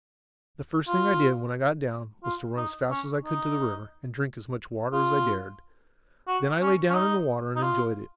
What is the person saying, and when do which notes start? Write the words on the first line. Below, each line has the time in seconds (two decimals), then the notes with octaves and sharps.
The first thing I did when I got down was to run as fast as I could to the river and drink as much water as I dared, then I lay down in the water and enjoyed it.
0.88 F4
2.23 F4
2.57 D#4
2.90 C#4
3.24 D#4
4.93 F4
6.28 F#4
6.61 C#4
6.90 C#4
6.94 D#4
7.56 D#4
7.62 F4